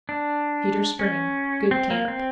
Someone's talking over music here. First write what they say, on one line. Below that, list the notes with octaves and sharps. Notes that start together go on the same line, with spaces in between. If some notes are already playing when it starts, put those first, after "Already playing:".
Cedar Spring.--Good camp.
D4
C#4
C4
A#3
C4